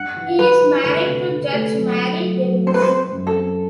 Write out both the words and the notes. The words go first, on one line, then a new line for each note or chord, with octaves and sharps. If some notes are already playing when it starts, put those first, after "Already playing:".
He is married to Judge Mary Devins.
Already playing: G2 F#5
E3
G3 B4
E3
D2 B4
C3
D2
A3
F#3
A3
F#3
F#3
C4 C5
B4
C5
C4
F#2
A4
C4